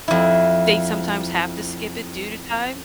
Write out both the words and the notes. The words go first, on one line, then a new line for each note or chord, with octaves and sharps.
they sometimes have to skip it due to time.
F2 E4